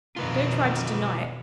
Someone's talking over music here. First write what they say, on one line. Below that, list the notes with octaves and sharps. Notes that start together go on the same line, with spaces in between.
Don't try to deny it.
F2 B2 D#3 F4 B4